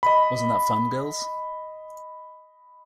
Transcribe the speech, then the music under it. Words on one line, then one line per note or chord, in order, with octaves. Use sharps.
Wasn't that fun, girls?
D#5 B5